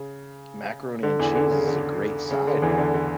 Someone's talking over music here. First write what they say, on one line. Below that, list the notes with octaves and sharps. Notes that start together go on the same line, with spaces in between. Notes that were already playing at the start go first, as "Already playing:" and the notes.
macaroni and cheese is a great side on it.
Already playing: C#3
D3
E2 E3
D3
C#3
D3
C#3
D3
E2 E3
D3
D3